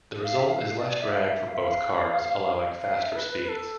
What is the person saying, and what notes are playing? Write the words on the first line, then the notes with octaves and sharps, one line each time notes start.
The result is less drag for both cars, allowing faster speeds.
F5
E5
F5
D5
E5
F5
E5
F5
E5
F5
F5
E5
A4
B4
B4
B4
A4